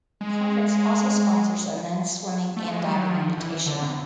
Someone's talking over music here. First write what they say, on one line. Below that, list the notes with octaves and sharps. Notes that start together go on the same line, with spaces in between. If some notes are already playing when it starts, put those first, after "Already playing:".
The conference also sponsors a men's swimming and diving invitational.
G#3
A3
G#3
G3
F#3
F3
E3
D3